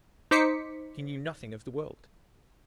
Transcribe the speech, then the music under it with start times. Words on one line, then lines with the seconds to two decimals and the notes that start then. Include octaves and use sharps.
She knew nothing of the world.
0.31 D#4 C5 D6 B6 C#7